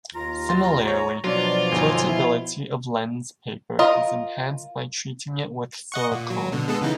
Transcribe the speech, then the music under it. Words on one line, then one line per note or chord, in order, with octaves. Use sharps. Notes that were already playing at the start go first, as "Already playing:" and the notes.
Similarly, floatability of lens paper is enhanced by treating it with silicone.
D#2 F4 A#5
C6 A6
C#5
B2 F3 F#3 D4 F4 D5
G1 D#4 A4 G#5
E4
F4 A#4 D#5
D#5 F#5 C#6
A#2
F#3
B2 D3
G#3 B3 A4
C#3 E3 D#4